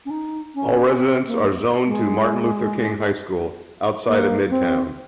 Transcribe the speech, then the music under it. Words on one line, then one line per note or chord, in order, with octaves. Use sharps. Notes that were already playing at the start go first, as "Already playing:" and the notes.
All residents are zoned to Martin Luther King High School, outside of Midtown.
C#4
D#4
C#4
C#4
C4
A#3
G#3
A#3
C4